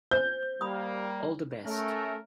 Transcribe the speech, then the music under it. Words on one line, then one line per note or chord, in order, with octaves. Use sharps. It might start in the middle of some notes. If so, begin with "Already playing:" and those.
All the best.
C5 G6
G3 A#3 B5 D#6
A3 C#4 A#4